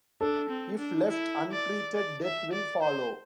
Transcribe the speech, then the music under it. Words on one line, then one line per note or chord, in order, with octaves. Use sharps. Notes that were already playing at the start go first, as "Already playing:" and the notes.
If left untreated death will follow.
D4 A4
C4
D4
E4
D5
D5
E5
D5
C5